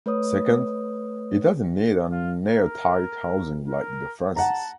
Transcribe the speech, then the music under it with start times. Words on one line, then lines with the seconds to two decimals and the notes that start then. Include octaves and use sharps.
Second, it doesn't need an airtight housing like the Francis.
0.06 A3 B4 C#5 D#6
2.12 F4
2.47 A#4
3.68 A#4
4.36 F#5 A5 A#5